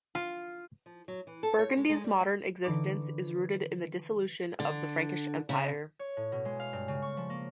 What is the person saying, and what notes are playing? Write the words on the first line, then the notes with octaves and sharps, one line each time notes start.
Burgundy's modern existence is rooted in the dissolution of the Frankish Empire.
F4
F3
F#3
E3
A4
C#5
G#3
G#3
G3
G5
D3 E3 D#4 C#6 D6
D3
C#3
C#5
A2
B2
G#3
F5
G2
C#3
C#6
F3
A#3